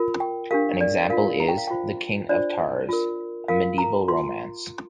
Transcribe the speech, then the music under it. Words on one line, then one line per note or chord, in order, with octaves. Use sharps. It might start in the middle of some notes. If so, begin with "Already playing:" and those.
An example is in "The King of Tars", a medieval romance.
Already playing: F4 A#4
G5
D4 G4 A#4 F5
D5
F4 A#4 F5
A#5
G5
F5
F4 C5 G5
D4 F4 C5 D5
F4 A#4
F4 A#4 F5
A#5
F4 C6